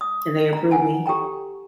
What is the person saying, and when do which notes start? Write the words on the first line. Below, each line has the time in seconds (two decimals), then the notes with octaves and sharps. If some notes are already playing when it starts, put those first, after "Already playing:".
and they approved me
0.01 D#6
0.53 A#5
0.71 F#5 G#5 A5
1.06 G4 A4 G5 A#5